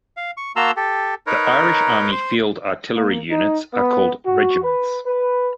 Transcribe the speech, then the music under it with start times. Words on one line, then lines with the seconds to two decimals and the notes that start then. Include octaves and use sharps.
The Irish Army field artillery units are called regiments.
0.17 F5
0.37 C#6
0.56 A#3 F#4 A5 A#5 C6 E6
0.77 G4 A4
1.27 D#4 A#4 B4 C#5
2.12 C5
2.95 A#3
3.29 D#4
3.73 B3
4.25 F#4
4.63 B4
5.06 B4